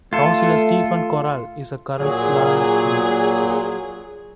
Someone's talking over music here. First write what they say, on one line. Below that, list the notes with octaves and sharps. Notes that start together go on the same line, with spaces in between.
Councillor Stephen Corrall is the current lord mayor.
A3 F4 A4
A#2 F#3 G#4